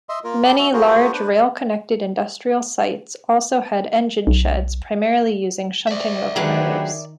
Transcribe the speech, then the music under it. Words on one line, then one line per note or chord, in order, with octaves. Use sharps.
Many large rail connected industrial sites also had engine sheds primarily using shunting locomotives.
D#5 E5 C6
A#3 F4 A#4
G4 A5 B5
F#4 E5
F4 F#4 G#4 A#4 C5
D4 B4 C5
B1
D5 E5
D3 D#3 F#3 D4 G4 G#4 B4